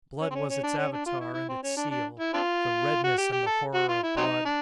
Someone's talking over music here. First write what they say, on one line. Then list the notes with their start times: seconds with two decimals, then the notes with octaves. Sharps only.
Blood was its Avatar and its seal--the redness and the horror of blood.
0.21 C#4
0.31 C4
0.35 C#4
0.50 C#4
0.64 D4
0.78 C#4
0.93 D4
1.06 F4
1.21 E4
1.34 E4
1.49 C4
1.63 C#4
1.77 D4
1.91 D4
2.20 E4
2.33 C4 D4 F4
3.04 F#4
3.18 G4
3.32 G4
3.47 A4
3.74 F#4
3.89 F4
4.03 E4
4.17 F#3 C4 D#4
4.45 D4